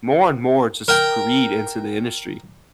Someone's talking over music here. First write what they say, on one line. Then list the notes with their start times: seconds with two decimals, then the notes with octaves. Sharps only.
more and more just greed into the industry.
0.88 A#4 G5